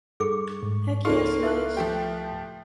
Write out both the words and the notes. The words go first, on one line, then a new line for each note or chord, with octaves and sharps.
Heck yes it is.
G2 G#4 A4 C#6 D6
G#2
C#2 A#3 D4 D#4 F4 G#4 A4 C#6
E4 E5 A5 F#6
F3 A3 G4